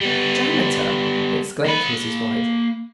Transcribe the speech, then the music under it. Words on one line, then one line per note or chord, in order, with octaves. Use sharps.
"Janitor!" exclaimed Mrs. White.
G3 B3
A#3 B5